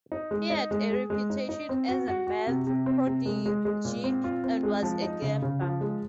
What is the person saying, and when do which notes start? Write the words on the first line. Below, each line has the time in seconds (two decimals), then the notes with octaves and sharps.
He had a reputation as a math prodigy and was a gambler.
0.12 D#4
0.31 G#3
0.50 D#4
0.71 G#3
0.90 G#4
1.10 G#3
1.30 D#4
1.49 D#4
1.69 C4
1.88 F#4
2.08 F#4
2.27 F#4
2.47 C3
2.67 C3
2.86 C4
3.07 C3
3.26 G#3
3.46 G#3
3.65 G#3
3.85 A#2
4.04 C4
4.24 F4
4.44 C4
4.63 G#3
4.82 F3
5.02 D#4
5.22 C#3
5.42 C#3
5.61 F3
5.81 G#3